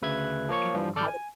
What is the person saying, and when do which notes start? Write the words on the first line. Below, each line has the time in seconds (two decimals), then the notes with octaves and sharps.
it had a
0.02 D2 C#3 B4 E5 F#6 G#6
0.49 F3 A#3 C#5 C#6
0.74 G2 E3 F3 G3
0.96 G#1 A4 D5 D6 F6 G6
1.08 G#5